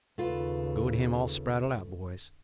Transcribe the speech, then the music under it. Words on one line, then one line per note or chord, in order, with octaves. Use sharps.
Go to him all spraddled out, boys.
D#2 C#3 A3 F4 B4